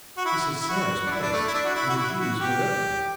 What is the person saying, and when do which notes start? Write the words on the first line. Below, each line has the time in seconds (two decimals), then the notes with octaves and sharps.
"This is Sarah's place, and the Jew is her relative."
0.17 F#4
0.26 E4
0.61 E4
0.69 F#4
1.07 D4
1.11 E4
1.22 D4
1.33 A3
1.48 E4
1.54 D4
1.65 F#4
1.75 E4
1.89 F#4
1.97 E4
2.18 F#4
2.40 G4